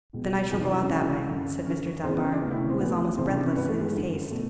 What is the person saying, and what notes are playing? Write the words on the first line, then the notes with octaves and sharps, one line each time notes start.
"Then I shall go out that way," said Mr. Dunbar, who was almost breathless in his haste.
C#2 B2
F2 C3 E3 G#4
D#4
D4
C#4
C#2 C3 E3
F#2 D3
F#2 D3 C#4
E2 C#3 E3 C4
B3
C#4
D4
D2 C3 D#3 C#4
E4
C#4
C4
D2 D3 B3
E2 C3 D#3 C4
C#4
D4
C#4
G2 E3 B3
A3
G#3
F#2 D3
B2 A3